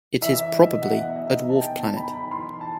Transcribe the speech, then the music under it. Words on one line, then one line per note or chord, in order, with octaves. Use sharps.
It is probably a dwarf planet.
E3 E5
E3 D#5
F#5
B2 E5
D#5
D#4 E5
A5
B2 G5
A5
D#4 B5
B5
E3 C6
A5